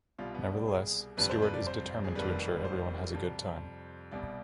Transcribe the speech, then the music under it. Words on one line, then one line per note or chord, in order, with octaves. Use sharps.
Nevertheless, Stuart is determined to ensure everyone has a good time.
C2 B2 G3 F4
B3
D4
G#4
G1 F2 C3 G3 B4
C5
B4
D5
C5
G#4
F1 F2 D#3 G3 B4
C5
F2 C3 G3
C2 B2 G3 D5